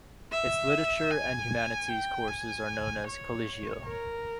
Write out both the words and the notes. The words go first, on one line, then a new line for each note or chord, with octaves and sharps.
Its literature and humanities courses are known as "Collegio".
E5
G#5
G5
G#5
C#5
A#4